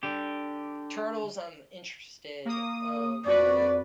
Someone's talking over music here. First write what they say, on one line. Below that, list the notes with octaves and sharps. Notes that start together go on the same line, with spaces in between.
turtles, I'm interested, um
D3 G4
A#3 D#6
F2 F#4 B4 D5